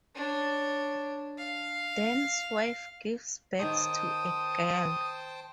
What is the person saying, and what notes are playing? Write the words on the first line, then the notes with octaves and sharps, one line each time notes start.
Dan's wife gives birth to a girl.
D4 C#5
F5
D#3 C5 C#5 G5 A5 D#6